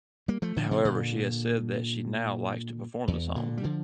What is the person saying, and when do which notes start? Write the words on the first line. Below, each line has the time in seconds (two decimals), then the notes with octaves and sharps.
However, she has said that she now likes to perform the song.
0.28 G3 A#3
0.42 F3 A3
0.56 D3 F3
0.71 C3 E3
0.85 A#2 D3
3.08 E2
3.36 A#2 D3
3.57 G3
3.64 D3 F3